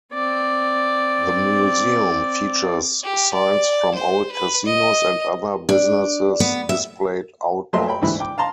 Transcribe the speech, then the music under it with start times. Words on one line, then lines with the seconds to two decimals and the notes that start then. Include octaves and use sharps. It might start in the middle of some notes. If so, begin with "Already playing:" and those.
The museum features signs from old casinos and other businesses displayed outdoors.
0.13 C4 D5
3.03 G4
3.33 D5
3.94 C5
4.32 B4
4.66 D#5
5.69 D4
6.40 B3
6.69 E5
7.73 F3 F#3 A3 D#5 E5 C6
7.87 C#5 G5 B5
8.02 D2 G#2 E3 E4 B5
8.20 G5 D6
8.38 F5 A5 A#5 C6